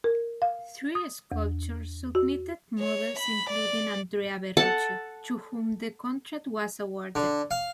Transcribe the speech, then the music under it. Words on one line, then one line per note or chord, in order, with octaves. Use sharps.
Three sculptors submitted models including Andrea Verrocchio to whom the contract was awarded.
A#4
F5
D#6
E2
F#4
C#5
B5
D5
A4 F#5 A5
D3
F5